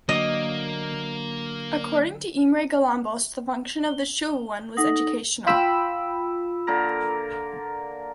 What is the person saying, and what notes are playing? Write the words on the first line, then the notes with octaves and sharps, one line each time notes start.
According to Imre Galambos, the function of the "Shuowen" was educational.
D3 F#3 A#3 D#5
G7
D#4 A4 F#5 D#6 A#6 F#7
F4 G5 B5 E6
D3 A#3 A#4